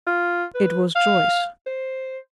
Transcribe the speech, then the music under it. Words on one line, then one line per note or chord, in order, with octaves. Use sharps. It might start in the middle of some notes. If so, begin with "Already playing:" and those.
"It was Joyce."
F4
B4
F5
C5